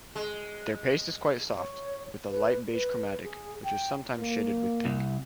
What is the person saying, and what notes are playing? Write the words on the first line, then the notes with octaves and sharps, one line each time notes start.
Their paste is quite soft, with a light beige chromatic, which is sometimes shaded with pink.
G#3
C#5
B4
B4
G#4
G5
A#3
C2